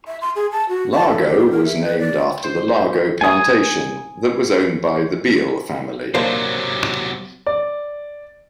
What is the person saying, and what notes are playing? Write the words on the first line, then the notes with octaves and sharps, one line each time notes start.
Largo was named after the Largo Plantation that was owned by the Beall family.
E5
C6
G#4
A5
F#4
A5
A4
G4
A#4
E5
B4
D5
C5
G#5 D#6
C3 F#3 A#3 D4 D#4 C5
D5